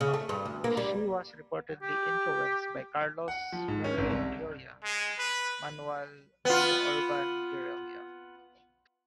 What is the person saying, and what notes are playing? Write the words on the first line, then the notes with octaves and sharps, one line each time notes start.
She was reportedly influenced by Carlos Marighella's "Manual of the Urban Guerilla".
C#3
A3
G2
D2
A#3
G3
G4
F#5
F3
G#2
C#4
G#1
C2
G#3
B4
B3 F4